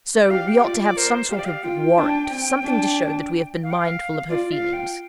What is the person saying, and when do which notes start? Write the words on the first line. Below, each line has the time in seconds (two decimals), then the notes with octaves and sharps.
So we ought to have some sort of warrant, something to show that we have been mindful of her feelings.
0.24 D5
0.30 G4 F5
0.48 G5
0.64 F4 D5
0.81 D5
0.97 A#4 C5
1.30 G4 F5
1.38 D5
1.45 F5
1.64 F4 G5
1.97 D4
2.30 C4
2.63 D4
3.63 F5
3.71 G5
3.80 F5
4.29 F4 D5
4.52 F5
4.63 F4
4.73 G5